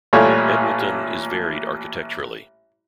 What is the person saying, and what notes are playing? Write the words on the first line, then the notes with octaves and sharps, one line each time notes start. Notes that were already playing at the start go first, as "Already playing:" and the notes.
Edwalton is varied architecturally.
A1 A#2 G3 A3 C#5 G#5